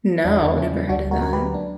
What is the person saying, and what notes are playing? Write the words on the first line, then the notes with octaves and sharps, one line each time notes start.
No, never heard of that.
E2 D4
E2
C#3 C#4 E4
G3
D2 D4 F#4
D2
F#4 A#4
D3 F#4 A#4
G4 B4
F#3
D4